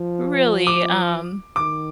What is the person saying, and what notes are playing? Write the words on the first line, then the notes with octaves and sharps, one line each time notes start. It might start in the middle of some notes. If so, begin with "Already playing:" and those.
really, um,
Already playing: F3
D6
D#3 D6